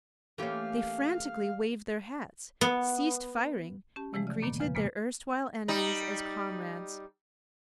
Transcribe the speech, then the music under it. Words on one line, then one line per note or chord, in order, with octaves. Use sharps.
They frantically waved their hats, ceased firing, and greeted their erstwhile enemies as comrades.
E3 A3 A#3 C#4 G4 F5
B3
C#4 G4 A5
C3 E3 F3 G#3 A3
C#3 D5
F#2 A#2 D#3 A#3 B3
E2 C#3 F3 B4 F6
A#2 C#3 G#3 A#3 B3
G3 D#4